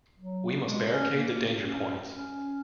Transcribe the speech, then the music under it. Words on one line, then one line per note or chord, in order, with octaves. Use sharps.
We must barricade the danger points.
F#3
G#3
C#4
A#3
C#4
C#4